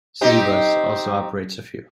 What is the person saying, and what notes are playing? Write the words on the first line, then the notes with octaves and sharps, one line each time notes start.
Citybus also operates a few.
C4 D#4 G4